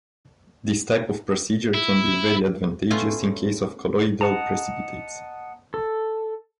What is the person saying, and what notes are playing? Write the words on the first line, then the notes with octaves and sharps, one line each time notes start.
This type of procedure can be very advantageous in case of colloidal precipitates.
E4
A3 B3 C#4 F4 G#5
D#5 F#5 A5 A#5
A4